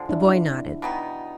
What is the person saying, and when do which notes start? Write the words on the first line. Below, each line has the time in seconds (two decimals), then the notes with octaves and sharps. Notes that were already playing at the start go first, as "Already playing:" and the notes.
The boy nodded.
Already playing: D3 F3 G#3
0.09 D4 E4
0.82 B2 G3 B3 D#4